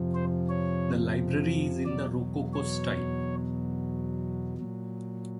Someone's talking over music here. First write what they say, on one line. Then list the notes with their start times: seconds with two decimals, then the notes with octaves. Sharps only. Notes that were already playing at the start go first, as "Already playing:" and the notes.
The Library is in the Rococo-style.
Already playing: F2 C3 F3
0.15 C5
0.49 C#5
1.85 E2 B2 F#3 D5
2.53 C#5
4.58 A#2 F#3